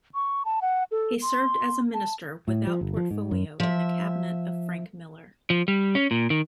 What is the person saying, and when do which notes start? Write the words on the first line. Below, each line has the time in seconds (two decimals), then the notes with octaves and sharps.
He served as a minister without portfolio in the cabinet of Frank Miller.
0.14 C#6
0.45 A5
0.62 F#5
0.91 A4
1.22 C6
1.94 A5
2.48 A2
2.67 F3
2.81 G1
2.97 F3
3.11 G#2
3.31 F#2
3.60 F3 E5
5.50 F3
5.68 G3
5.95 C#4
6.11 A#2
6.30 D#3